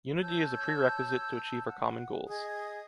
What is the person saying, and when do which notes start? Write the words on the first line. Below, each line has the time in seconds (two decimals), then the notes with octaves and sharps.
Unity is a prerequisite to achieve our common goals.
0.21 C#5 A5 E6 G6
1.66 F#5
2.28 G#4 D#5 D#6